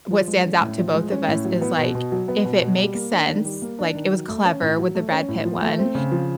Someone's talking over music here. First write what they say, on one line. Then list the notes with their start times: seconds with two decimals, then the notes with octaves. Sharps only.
what stands out to both of us is like, if it makes sense, like, it was clever with the Brad Pitt one,
0.11 F3
0.28 G#3
0.44 C#4
0.61 A2
0.78 F3
0.94 G#3
1.12 C#4
1.28 A2
1.45 F#3
1.61 B3
1.78 B2
1.95 B2
2.12 F#3
2.28 B3
2.45 B2
2.62 B2
2.78 G3
2.95 A#3
3.11 D4
3.28 D#3
3.45 G3
3.62 A#3
3.79 D4
3.95 D#3
4.12 F#3
4.28 A3
4.45 C#4
4.62 A2
4.79 F#3
4.95 A3
5.12 C#4
5.28 A2
5.45 F3
5.62 A3
5.79 C4
5.95 C#3
6.12 F3